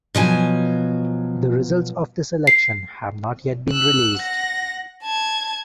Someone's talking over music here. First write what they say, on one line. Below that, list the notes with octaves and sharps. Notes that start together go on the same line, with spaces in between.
The results of this election have not yet been released.
B2 F3 F#3 G#5
C7
E6 F#6
F#5 A#6
A5 G#6